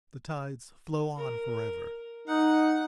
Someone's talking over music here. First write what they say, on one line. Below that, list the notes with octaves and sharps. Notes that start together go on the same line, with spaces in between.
The tides flow on forever.
A#4
D#4 F#5